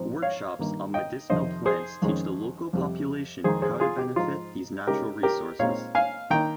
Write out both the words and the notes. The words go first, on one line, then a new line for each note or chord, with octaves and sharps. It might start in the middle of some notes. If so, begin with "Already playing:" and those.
Workshops on medicinal plants teach the local population how to benefit these natural resources.
Already playing: G#2 F3 C4 D#4
C#5 F5
G2 D#3 A#3 D#4
D#5 G5
F2 C3 D#3 C5 D#5
G#4 C5
F2 D#3 G#3 C#4
F2 C3 G3
F2 D#3 G#3 D#4 G#4 C5
G#4 C5
F4 G#4
G4
G#2 F3 G#3 D#4 F4
C#3 G#3 D#4 G4 A#4
G4 A#4
A#2 G#3 C4 D#4 C#5 F5
F5 G#5
D#3 A#3 D#4 G5 A#5